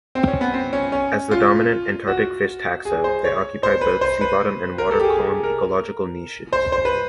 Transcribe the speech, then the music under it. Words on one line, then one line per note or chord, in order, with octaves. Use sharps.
As the dominant Antarctic fish taxa, they occupy both sea-bottom and water-column ecological niches.
C4
C#4
B3
C4
C#4
C#4
F4
F#4
G#4
C5
C#5
C5
B4
C5
B4
A#4
A4
G4
G#4
G#4
A#4
C5
C5
B4